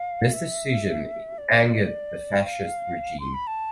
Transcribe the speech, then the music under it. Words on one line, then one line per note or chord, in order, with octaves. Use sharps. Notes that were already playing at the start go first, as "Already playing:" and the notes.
This decision angered the Fascist regime.
Already playing: F5
E5
D5
C5
D5
F5
C6
B5
A5